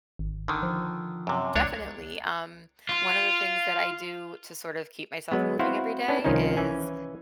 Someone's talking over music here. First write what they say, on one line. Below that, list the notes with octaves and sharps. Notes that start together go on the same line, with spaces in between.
Definitely, um, one of the things that I do to sort of keep myself moving every day is
G#1
D3 D#3
F3
F#2 C3
C#2 D4 C#5
F4
F#3 G#3 B3
C4 E4 F#4 C5 F5 F#5
C#4 D4 B4
C2 D#3 F3 C#4 D#4
E3 C#4 G#5